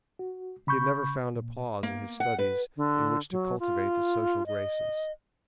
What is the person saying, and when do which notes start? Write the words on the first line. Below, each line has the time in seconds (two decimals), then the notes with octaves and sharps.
He had never found a pause in his studies in which to cultivate the social graces.
0.19 F#4
0.67 C#3 B5 C#6 G6
1.36 A#2
1.83 A#3
2.20 F#5
2.39 B4
2.77 D3
3.31 F#3
3.60 F4
4.46 D#5